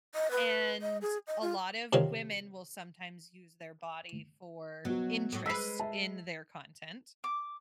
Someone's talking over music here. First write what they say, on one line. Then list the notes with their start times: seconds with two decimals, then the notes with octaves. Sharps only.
and a lot of women will sometimes use their body for interest in their content.
0.15 D#5
0.31 B4
0.82 D#5
1.02 G#4
1.27 D#5
1.42 F4
1.93 C3 D#3 F3 F#3 C4
4.85 B2 F#3 F#4
5.32 A2 F#3
5.46 G#3 B4 E6 B6 C7
5.80 E5 A5
7.24 D6